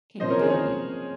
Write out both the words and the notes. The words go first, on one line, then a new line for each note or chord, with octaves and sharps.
"Can you donate"
C3 F3 A#3 C#4 C5 D#5
A#4 C#5
G#4 C5
A#4 C#5